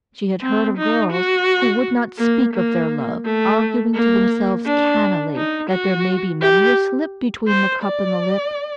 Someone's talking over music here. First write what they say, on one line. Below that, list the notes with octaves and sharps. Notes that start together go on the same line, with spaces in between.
She had heard of girls who would not speak of their love, arguing to themselves cannily that there may be many a slip between the cup and the lip.
C4
D#4
F#4
A#3
A#3
A3
A#3
D4
D#4
F#4
G4
C5
D5